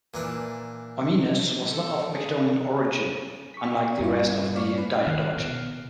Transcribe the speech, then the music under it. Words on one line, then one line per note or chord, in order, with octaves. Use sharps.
Eumenes was not of Macedonian origin, unlike the rest of Diadochi.
A#2 E3 D4
A4
G#4
C#6 B6
G2 C#4 E4 C#5
D5 F5 C#6
C#4 B4
D#3 F6 F#6 C7
B2